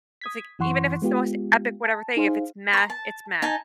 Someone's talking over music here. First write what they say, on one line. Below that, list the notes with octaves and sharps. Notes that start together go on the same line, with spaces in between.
It's like, even if it's the most epic, whatever thing, if it's "meh," it's "meh."
D#6 G#6 B6
F#2 E3 F#5 C6 C#6
G#3 B3 F4 G4
A5
D#4 G#4 C5 F5
A#5 C#6
A5
D#4 G#5 A5